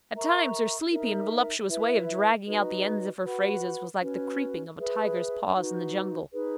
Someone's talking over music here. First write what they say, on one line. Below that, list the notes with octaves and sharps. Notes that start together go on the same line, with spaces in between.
At times her sleepy and voluptuous way of dragging out the end of her phrases was like the creeping of a tiger's paws in the jungle.
A#4 E5 A#5 C#6
D#4 A#4 E5
E4 B4 E5
D#4 F#4 B4 D#5
F#4 B4 F#5 B5
C#4 F#4 B4
G#4 B4 E5
D#4 F#4 B4
D#4 G#4 B4